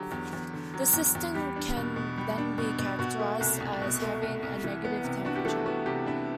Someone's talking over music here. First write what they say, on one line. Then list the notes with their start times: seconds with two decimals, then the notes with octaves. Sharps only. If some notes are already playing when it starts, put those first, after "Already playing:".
The system can then be characterised as having a negative temperature.
Already playing: D3 F#3 G4
0.12 E2
0.33 E2
0.53 D3
0.74 F#3
0.93 E2
1.15 E2
1.35 G3 G4
1.56 D4
1.76 B2
1.96 B2
2.18 G3
2.38 D4
2.58 B2
2.79 B2
2.99 B2 F#4
3.20 A3
3.41 C2
3.60 C2
3.82 B2
4.02 A3
4.22 C2
4.43 C2
4.64 E3
4.84 B3
5.04 C3
5.25 D4 F#4
5.35 G4
5.45 E3 A3 A4
5.66 B3 F#4
5.86 C3 G4
6.06 D4 E4 E5